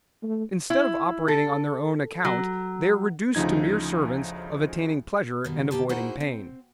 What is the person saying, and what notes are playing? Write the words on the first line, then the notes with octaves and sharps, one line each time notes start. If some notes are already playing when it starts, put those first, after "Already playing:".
Instead of operating on their own account they are reduced to mere servants of attaining pleasure and avoiding pain.
A3
E4
A4
F#3
D2 C#3 F3 D#4 G#6
G2 B2 D#3
D2 A#3 G4 A5
A#3 D#4 E4 F#4 G#4 C5
C4